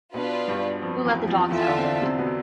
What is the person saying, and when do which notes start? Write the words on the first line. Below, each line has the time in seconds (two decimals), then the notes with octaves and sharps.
Who Let the Dogs Out?
0.14 B2 B3 D4 F4 B4
0.48 G2 G3
0.82 F2 F3
1.05 E2 E3
1.28 F2 F3
1.50 E2 E3 F4 A4 E5
1.68 D3 D4
1.79 C4
1.85 D3 D4
2.02 C3 C4
2.19 B2 B3